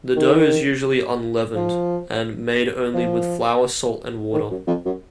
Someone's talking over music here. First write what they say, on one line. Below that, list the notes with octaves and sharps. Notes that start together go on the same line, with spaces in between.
The dough is usually unleavened, and made only with flour, salt and water.
D#3
F3
F3
D#3
F#2
F2
F#2